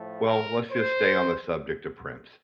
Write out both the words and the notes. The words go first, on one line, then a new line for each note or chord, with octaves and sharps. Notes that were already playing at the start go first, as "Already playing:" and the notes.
Well, let's just stay on the subject of Prince,
Already playing: A2 F3 A3
A#4
C5